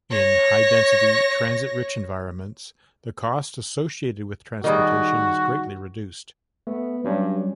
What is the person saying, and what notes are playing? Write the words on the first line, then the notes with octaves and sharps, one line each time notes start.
In high density, transit-rich environments, the cost associated with transportation is greatly reduced.
C#5 A#6
D#3 G3 F#4 G#4
A3 B3
G2 F#3 G3 C#4